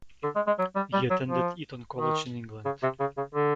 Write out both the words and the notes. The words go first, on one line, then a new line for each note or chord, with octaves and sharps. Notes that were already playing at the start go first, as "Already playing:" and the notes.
He attended Eton College in England.
D3
G#3
G#3
F#3
G3
G3
F#3
F3
D#3
C#3
C3
C#3
C#3
D3